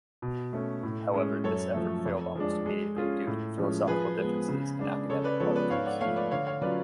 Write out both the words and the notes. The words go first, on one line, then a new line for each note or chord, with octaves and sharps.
However, this effort failed almost immediately due to philosophical differences and academic politics.
B2
A3 C#4
A2
G#3 C#4
F#2 A4 C#5
F3 A3
F2
F3 G#3 D4
G#3
C#4 F4 G#4
A2
F3 G#3 C#4
F3 G#4 B4
G#3 B3
C#3
G#3 D4
C#3 A4 C#5
B4 D5
F3 G#3 B3 A4 C#5
B4 D5
G#2 C#5 F5
D5 F#5
F3 A3 C#5 F5
B4 D5
D3 C#5 F5
C#5 F5
F#3 C#4 F4 B4 D5